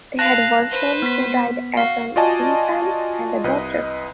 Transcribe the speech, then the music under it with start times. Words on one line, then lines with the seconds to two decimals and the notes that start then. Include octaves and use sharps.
They had one son, who died as an infant, and a daughter.
0.19 B4 F5 A5 F#6 A#6
0.69 B4 C5
1.02 B3 B6
1.77 F#4 F5
2.16 F4 F#4 D5 D#5 G#5 A5
3.44 C2 B4 D#5